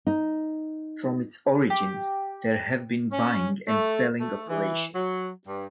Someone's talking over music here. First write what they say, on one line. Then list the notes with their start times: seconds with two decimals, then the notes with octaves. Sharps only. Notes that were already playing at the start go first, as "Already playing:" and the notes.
From its origins, there have been buying and selling operations.
0.07 D#4
1.70 G4
3.11 C#4
3.68 A3
4.20 A3
4.48 E3
4.95 F#3
5.47 G2